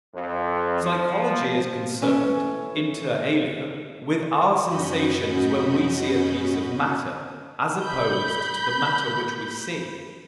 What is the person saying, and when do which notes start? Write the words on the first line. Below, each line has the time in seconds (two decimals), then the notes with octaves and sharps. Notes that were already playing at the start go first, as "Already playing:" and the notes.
Psychology is concerned, inter alia, with our sensations when we see a piece of matter, as opposed to the matter which we see.
0.14 F2
0.81 F3
2.02 E3 C#4 A4 B4 C#5
4.63 F#2 C#4 F#4 D#5 B5 G6
7.81 B5 G6